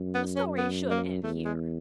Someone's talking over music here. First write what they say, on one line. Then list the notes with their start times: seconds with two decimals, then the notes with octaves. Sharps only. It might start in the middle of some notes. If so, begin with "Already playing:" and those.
The story should end here.
Already playing: F#2
0.14 B3
0.36 C#4
0.58 B3
0.90 A#3
1.23 E2 A3
1.45 G#3